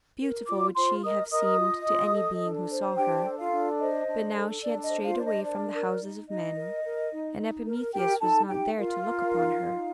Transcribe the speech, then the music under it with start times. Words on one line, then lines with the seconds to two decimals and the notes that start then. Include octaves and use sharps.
Beautiful would she have seemed to any being who saw her, but now she had strayed away from the houses of men and Epimetheus was not there to look upon her.
0.21 A#4
0.48 F4 D5 D6
0.75 F4 C5 C6
1.03 A#4 D#5 D#6
1.31 A#4 D#5 D#6
1.58 F4
1.86 F4
2.14 A4
2.41 D4
2.70 C5
2.96 D4 G4 G5
3.24 A4
3.39 F4 F5
3.52 D4
3.80 C5 D#5
4.07 D4
4.35 A4
4.63 D4 D5
4.83 D#5
4.90 C5
5.04 F4 F5
5.18 D4 D5
5.25 D#5
5.45 A#4 D5
5.73 A#4
6.00 D#4
6.28 D#4 D#5
6.56 A#4
6.84 A#4
7.11 D#4
7.39 D#4
7.66 A#4
7.94 G4 A#4 G5
8.22 D#4 A4 A5
8.49 D#4 G4 G5
8.77 F4 A#4 F5
9.05 A#4
9.32 D#4
9.60 D#4